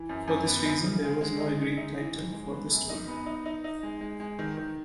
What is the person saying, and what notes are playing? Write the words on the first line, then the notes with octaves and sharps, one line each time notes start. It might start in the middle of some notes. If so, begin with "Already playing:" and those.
For this reason, there was no agreed title for the story.
Already playing: E3
F#2
F#2
B3
D#4
C#3
G#3
G#3
D#4
G#3
D#4
E3
G#2
G#3
B3
F#2
D#4
B3
D#4
D#4
D#4
G#3
G#3
G#3
D#3
D#3